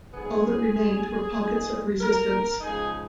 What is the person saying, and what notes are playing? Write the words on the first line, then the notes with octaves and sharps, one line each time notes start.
All that remained were pockets of resistance.
G#2 F#3 B3 G#4
A#2 G#3 D#4
A#4
C#3 F3 G#3 D#4 G#4